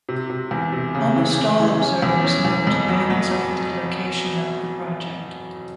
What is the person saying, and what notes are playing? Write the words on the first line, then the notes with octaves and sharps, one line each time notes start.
Almost all observers note the unexpected location of the project.
C3
C3
E2
C3
C#3
E3
C#4
E3
C#4
E2
C#4
E2
F2
F#3
F#3
F#3